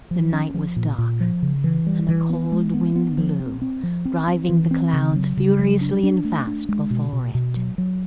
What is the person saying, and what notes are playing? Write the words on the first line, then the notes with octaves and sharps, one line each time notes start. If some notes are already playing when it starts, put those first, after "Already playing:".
The night was dark, and a cold wind blew, driving the clouds, furiously and fast, before it.
F3
C#4
F3
A#2
A#2
F3
C#3
E3
G3
E3
B3
G#3
B3
B3
F3
C4
C4
F3
C4
C4
E3
C4
C#3
F#3
C#3
F#3
D4
D4
A3
D4
G#3
B2
B2
B2
F#3
F#3